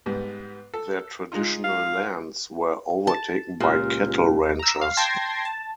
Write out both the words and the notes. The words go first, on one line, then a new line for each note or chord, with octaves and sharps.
Their traditional lands were overtaken by cattle ranchers.
G#2 G3 B3
A4
G#3 D#4 F4
F5
A5
C#2 A#2 G4 F6
A#5 E6
F5
G5 A5 C6 G#6 A#6 C7
A5